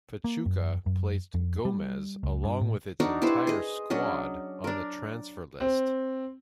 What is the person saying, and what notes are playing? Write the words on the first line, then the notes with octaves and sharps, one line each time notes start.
Pachuca placed Gomez, along with its entire squad, on the transfer list.
A#3
F#2
F#2
F2
G3
C#2
G2
A2
D4 D#4 F#4 A#4
E4 G4 B4 C5
G#4 D#5
F#3 C#4 D4 D#5
D4 A#4
C4